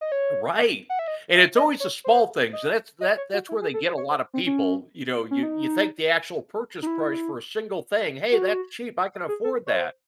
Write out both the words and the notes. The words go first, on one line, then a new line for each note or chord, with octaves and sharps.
Right, and it's always the small things. So that's that that's where they get a lotta people, you know, you you think the actual purchase price for a single thing, "Hey, that's cheap, I can afford that."
D#5
C#5
F#5
E5
D#5
E5
D#5
C#5
C5
D#5
D#5
C#5
F#4
E4
G#4
A4
C5
C#5
C5
C4
C#4
C#4
D#4
D#4
E4
F#4
G#4
A4
C#5
C5